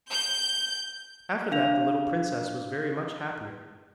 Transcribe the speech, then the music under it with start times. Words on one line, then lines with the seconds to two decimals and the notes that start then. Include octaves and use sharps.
After that the little princess was very much happier.
0.11 G6
1.51 D4 F5 F7